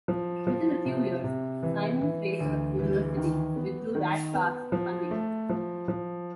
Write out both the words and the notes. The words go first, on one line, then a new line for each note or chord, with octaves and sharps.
Within a few years, Simon Fraser University withdrew Rat Park's funding.
F3
F3
C3
C3
E3
E3
D2
E3
D#3
B3
D#3
B3
F3
A3
F3
F3